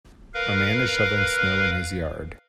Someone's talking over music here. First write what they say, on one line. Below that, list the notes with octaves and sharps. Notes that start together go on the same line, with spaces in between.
A man is shoveling snow in his yard.
A#4 B4 F5